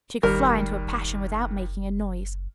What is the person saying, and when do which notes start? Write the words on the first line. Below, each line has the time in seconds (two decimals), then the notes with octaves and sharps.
She could fly into a passion without making a noise.
0.23 F#1 D#2 G3 A#4 F6